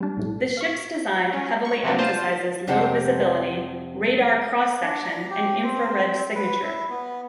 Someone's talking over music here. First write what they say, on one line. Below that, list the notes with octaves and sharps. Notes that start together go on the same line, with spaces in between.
The ship's design heavily emphasizes low visibility, radar cross-section and infrared signature.
G3 D4
B1 A2
F5 C#6
C#4
C#6
C3 F3 F#3 B3 D4
F4 C5 A5
F2 C3 G4 C5 F#5 A5
D4
A#5
G4
C4
B4
E4
B3